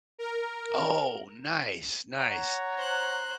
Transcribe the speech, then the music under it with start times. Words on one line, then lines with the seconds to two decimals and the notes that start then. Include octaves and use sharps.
Oh, nice, nice.
0.19 A#4
2.18 C#5 F#5 A#5
2.77 C5 F#6